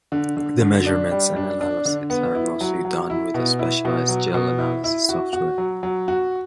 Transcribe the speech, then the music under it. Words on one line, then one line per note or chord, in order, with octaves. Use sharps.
The measurement and analysis are mostly done with a specialized gel analysis software.
D3
D3
D3
D4
G3
D4
D4
D3
B3
E4
F#3
F#3
E4
B2
E4
B2
F#3
B2
E4
E4
F#4
F#4
F#3
F#3
F#4